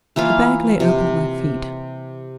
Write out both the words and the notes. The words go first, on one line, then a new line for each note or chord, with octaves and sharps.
The bag lay open at my feet.
E3 A#3 F4 F5
C3